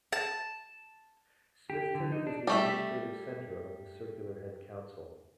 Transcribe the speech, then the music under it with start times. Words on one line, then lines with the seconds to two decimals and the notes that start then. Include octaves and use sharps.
Smithton is the administrative centre of the Circular Head Council.
0.12 A5
1.70 G4
1.95 D3
2.12 D#4
2.27 D4
2.47 G3 A3 E5